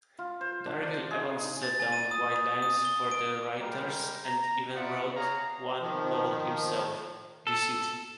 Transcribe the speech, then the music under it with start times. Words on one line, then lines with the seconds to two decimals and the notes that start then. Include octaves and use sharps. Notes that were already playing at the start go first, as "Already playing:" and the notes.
Darvill-Evans set down guidelines for the writers, and even wrote one novel himself, Deceit.
0.19 F4
0.41 C5
0.66 D4
0.83 D5
1.11 G#4
1.39 D#4
1.63 A6
1.80 G#5
1.92 D#7
2.11 D#6
2.32 D#6
2.62 D#6
2.85 G7
3.11 D7
3.60 G3 G#3 A#4 G5 A#5
4.24 A#5
4.75 B3 F4 D5 E5 F#5
5.16 G#4 C#5 F5 A#5
5.80 D#3 F3
7.47 A4